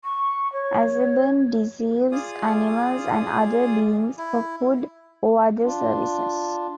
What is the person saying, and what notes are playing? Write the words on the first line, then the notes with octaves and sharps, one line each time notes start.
Azeban deceives animals and other beings for food or other services.
C#6
C#5
F4 G#4 D5 D#6
E4
D4 F4